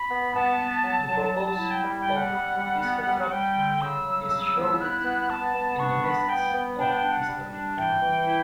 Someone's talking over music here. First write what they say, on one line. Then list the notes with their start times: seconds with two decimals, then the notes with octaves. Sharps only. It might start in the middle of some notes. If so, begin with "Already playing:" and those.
The purpose of this construct is shrouded in the mists of history.
Already playing: B5
0.10 B3
0.35 B3 A5
0.59 B3
0.84 F#3
1.09 F#3
1.34 F#3 A5
1.46 A5
1.58 E4 A5
1.71 G5
1.84 G3
2.00 G5
2.08 G3
2.16 F#5
2.33 G3
2.58 G3
2.83 B3
3.07 G3
3.32 G3 G5
3.56 D3
3.82 C#3 E6
4.06 F#3
4.30 C#3
4.56 B3
4.81 E4 F#6
5.05 B3
5.30 B3 A5
5.54 B3
5.79 D4 C#6
6.04 B3 B5
6.29 B3 G5
6.54 B3
6.79 D4 G5
6.95 G5
7.03 D4
7.12 F#5
7.28 G3
7.52 D4
7.78 E3 G5
8.02 E3
8.27 E4